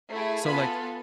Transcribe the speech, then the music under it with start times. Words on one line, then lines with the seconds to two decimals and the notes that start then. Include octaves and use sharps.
So like
0.09 A3 E4 G#4
0.47 B3 F4 A4 G#5 B5